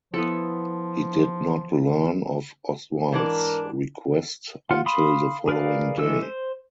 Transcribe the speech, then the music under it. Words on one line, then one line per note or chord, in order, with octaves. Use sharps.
He did not learn of Oswald's request until the following day.
F3 B3 E4 A4
G#2 E3 D4 A#4
F4 F#5
F5 B5 C6 D#6
G#4 A#4 B4 D5 F5
E3 G#3 A4 E6
C5